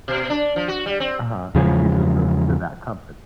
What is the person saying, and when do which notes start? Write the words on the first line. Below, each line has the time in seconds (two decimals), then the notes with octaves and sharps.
Uh-huh. And it usually goes to that company.
0.08 B2
0.30 D4
0.56 F3
0.68 F#4
0.86 G3
1.00 C4
1.55 E2 C#3 F3 G#3